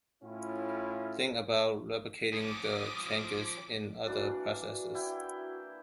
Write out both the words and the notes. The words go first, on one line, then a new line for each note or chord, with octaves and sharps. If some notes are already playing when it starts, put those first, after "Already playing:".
Think about replicating the changes in other processes.
A2 C#4 E4 F4
F3 C#4 D6 D#6
E3 A#3 D4 F#4
E4 G5